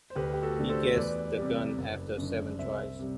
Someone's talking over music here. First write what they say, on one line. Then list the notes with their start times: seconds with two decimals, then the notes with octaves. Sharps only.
He gets the gun after seven tries.
0.10 C5
0.15 D2 G4 B4
0.33 G4
0.42 F#4 A4
0.56 D3 A3
0.69 A4 C5
0.96 E2 B4 D5
1.37 C3 G3
1.78 F#1
2.18 F#2 D3
2.58 C2 C5 E5
2.99 C3 G3